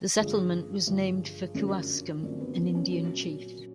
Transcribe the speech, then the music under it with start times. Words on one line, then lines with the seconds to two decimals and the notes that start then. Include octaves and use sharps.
The settlement was named for Kewaskum, an Indian chief.
0.19 G2 D3 F3 G#4
0.87 G2 D3 F3 G4
1.55 F#2 D3 F3 C#4
2.23 F#2 D3 F3 C4
2.40 B3
2.57 C4
2.75 C#4
2.92 A#2 F#3 C#4